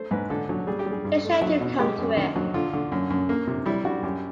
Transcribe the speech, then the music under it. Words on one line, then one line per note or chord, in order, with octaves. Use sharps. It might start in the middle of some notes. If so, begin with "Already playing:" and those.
You're sure to come to it.
Already playing: A3 C5
G#2 B4
D3 A4
F#3
G3 G#4
G4
G3
G#4
G2
A3
F#3
B2
G#3 G4
F#2
D#3
F#3
D3 F4
D3
F#2
F#2
A#3
C3
G3 E4
G3 F#4
F#2 G4